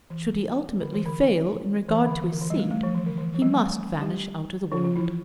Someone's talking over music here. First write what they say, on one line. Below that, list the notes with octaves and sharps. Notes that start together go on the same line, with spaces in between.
Should he ultimately fail in regard to his seat he must--vanish out of the world.
E3
D3
E3
D3
E3
D3
E3
D3
E3
G3
A3
A3
F3
E3
D3
E3
F3
G3
A3
G3 G4
F3 F4
F3 F4
E3 E4